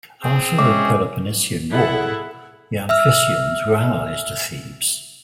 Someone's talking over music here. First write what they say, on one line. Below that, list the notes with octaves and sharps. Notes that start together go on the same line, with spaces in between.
After the Peloponnesian War the Amfissians were allies to Thebes.
C4 G#4 C5
G#3 C#4 E5 D6
E4 G#4 A4 F#5
E5 E6 F6